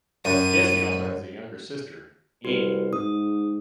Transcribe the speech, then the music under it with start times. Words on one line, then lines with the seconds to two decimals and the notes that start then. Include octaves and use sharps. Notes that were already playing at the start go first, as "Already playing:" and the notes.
Jesse also has a younger sister, Annie.
0.25 F#2 D#7
2.45 C2 F#4 B4
2.93 G#2 D#6